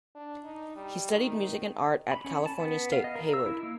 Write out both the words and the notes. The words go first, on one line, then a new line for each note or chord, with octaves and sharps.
He studied music and art at California State, Hayward.
D4
D#4
G3
D#3
B5
C#4
A5
B3
F5
D#5
A#4
E6
E4
A#3